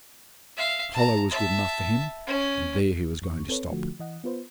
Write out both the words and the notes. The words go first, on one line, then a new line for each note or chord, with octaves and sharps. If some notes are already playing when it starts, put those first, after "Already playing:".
The Hollow was good enough for him, and there he was going to stop.
E5 F5
A5 A#5
E5 A5
C#4
F2 C#6
C4 A4 B4 C#5
D3 F3 A3 F#4
E3 D#5 F#5
B3 F4 B4 C5